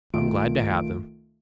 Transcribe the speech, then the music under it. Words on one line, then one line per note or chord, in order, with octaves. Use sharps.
I'm glad to have them.
C2 D#3 A3 F4 D7